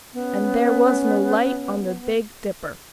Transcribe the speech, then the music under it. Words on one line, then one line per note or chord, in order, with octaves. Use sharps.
And there was no light on the Big Dipper!
B3 C#4